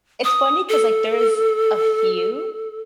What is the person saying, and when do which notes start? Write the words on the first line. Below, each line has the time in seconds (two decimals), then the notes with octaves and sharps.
it's funny 'cause, like, there's a few,
0.24 D#6
0.69 A4